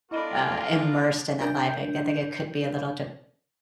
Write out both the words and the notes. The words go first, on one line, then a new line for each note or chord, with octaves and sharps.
uh, immersed in that life, I c I think it could be a little de
B3 D4 E4 F4 A4 A#4 D#5 B5
D4 A#4 G6